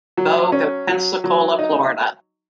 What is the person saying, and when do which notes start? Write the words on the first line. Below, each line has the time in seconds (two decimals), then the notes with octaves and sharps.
Bogue of Pensacola, Florida.
0.17 F#3
0.52 C#4
0.89 F#3
1.24 F#3
1.59 D#4